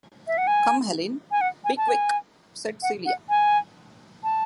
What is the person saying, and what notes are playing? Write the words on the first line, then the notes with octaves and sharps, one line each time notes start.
"Come, Helene, be quick," said Celia.
E5
F#5
G#5
G#5
F#5
G#5
A5
G#5
F#5
F#5
G#5
A5